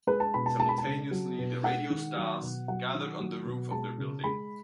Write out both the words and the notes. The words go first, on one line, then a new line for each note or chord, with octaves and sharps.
Simultaneously the radio stars gathered on the roof of their building.
G#3 B4
A5
B2 B5
A5
G#3 A5
B5
A5
C#3
F#3
B2
G#3 F#5
D#3
F#3
B2
F#3 F#5
D#3
F#3
B2
G#3 A5
C#3
G#3 B5